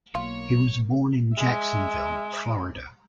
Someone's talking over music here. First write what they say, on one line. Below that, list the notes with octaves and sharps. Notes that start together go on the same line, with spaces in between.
He was born in Jacksonville, Florida.
B1 A#3 F4 C#5
G#3 E5